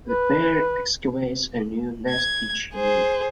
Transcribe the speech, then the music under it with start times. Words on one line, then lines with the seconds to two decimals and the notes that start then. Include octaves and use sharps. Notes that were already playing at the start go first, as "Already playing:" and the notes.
The pair excavates a new nest each year.
0.07 B4
2.10 G#6
2.75 G#4 C5